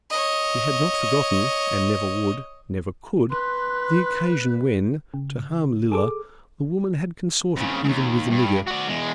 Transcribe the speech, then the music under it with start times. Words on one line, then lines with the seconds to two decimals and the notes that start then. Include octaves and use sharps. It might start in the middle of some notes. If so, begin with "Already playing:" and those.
She had not forgotten--and never would--never could--the occasion when, to harm Lilla, the woman had consorted even with the nigger.
0.10 C#5 D#5
3.30 B4 C6 F#6
5.14 C#3
5.92 G#4 A4 D6
7.57 F2 C#3
7.84 D#2 G#2
8.30 G2
8.67 F#4 D5
8.88 E2 G#3